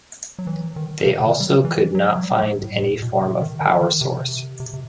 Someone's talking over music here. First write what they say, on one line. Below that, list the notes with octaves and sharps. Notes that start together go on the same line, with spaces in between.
They also could not find any form of power source.
F#3
E3
D#3
C3
C3
D#3
G3
F#3
E3
F#3
F#3
G3
A2
A2
A2
B2
C3
D#3
D#3
D#3
C3
C3
C3